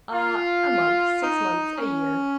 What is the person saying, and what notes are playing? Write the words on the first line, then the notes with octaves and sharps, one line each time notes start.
"Ah, a month--six months--a year."
F4
D#4
C#4